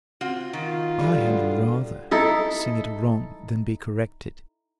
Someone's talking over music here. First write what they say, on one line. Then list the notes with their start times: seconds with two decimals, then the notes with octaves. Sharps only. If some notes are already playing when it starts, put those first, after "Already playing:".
I had rather sing it wrong, than be corrected.
0.21 C4 F4 F#4
0.53 D#3 F4
0.99 B2 D3 G3
2.11 D#4 E4 A4